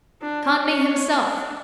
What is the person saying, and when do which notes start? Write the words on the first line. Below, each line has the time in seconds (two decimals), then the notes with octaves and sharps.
Conmee himself!
0.22 D4
0.66 C#5
1.17 D4